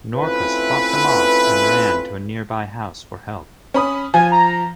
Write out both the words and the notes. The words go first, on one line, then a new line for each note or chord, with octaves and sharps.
Norkus fought them off and ran to a nearby house for help.
A3 C4 C#4 E4 F4 B4
C#4 B5 D#6
F3 G#5
A#5